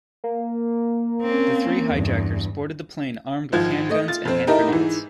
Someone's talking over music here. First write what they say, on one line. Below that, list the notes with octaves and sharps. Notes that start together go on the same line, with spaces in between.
The three hijackers boarded the plane armed with handguns and hand grenades.
A#3
C4 C#4
E2 G2
G#1 F3 F4 G#6
A3 D#5
F4 A6
F2 C4
D#4 E4 G4 A4 A#4 D#5
G#2 E3